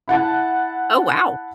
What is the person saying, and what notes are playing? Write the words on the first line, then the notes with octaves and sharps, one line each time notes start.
Oh, wow.
E4 F#5 A5